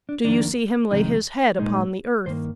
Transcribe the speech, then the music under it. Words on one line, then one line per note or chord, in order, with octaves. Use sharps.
Do you see him lay his head upon the earth?
D4
F2 D#3 A#3 D4
F2 C3 D#3 G#3 D#4
A#2 G#3 D#4
G2 D#3 A#3 C5